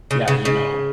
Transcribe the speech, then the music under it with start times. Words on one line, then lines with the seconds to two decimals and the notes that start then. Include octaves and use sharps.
Yeah, you know,
0.11 C#3
0.28 C#3
0.45 C#3